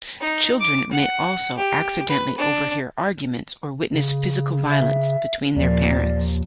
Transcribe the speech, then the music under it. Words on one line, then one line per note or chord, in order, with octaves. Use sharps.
Children may also accidentally overhear arguments or witness physical violence between their parents.
D#4
D6
F#5
G4
B4
D4
C#3
E5
D#2 A#2 F3 D5